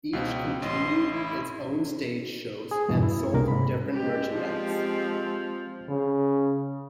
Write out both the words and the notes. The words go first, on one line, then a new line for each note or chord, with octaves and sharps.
Each continued its own stage shows and sold different merchandise.
C#2 B2 C4
A1 D#5 C6
E4
G#4
E2 G2 B2 E3
E4
C2 C3 A#3 A#4 F5
G#2 G#3 B5
G#3 G4
F3 C4 G4
C#3